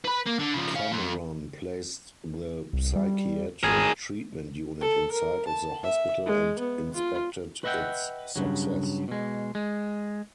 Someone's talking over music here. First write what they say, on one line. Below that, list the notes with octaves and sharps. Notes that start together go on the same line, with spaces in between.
Cameron placed the psychiatric treatment unit inside of the hospital and inspected its success.
B4 B5
A#3
D3
C#3 F3
C#5 F5
F3 C4
C2
G3
G#1 G#4 A#4
A4
A#4
A5
E5
G#3
B3
F4
B4 D#5 E5 F#5 G5
G2 C#3 F#3
B2 G#3
G#3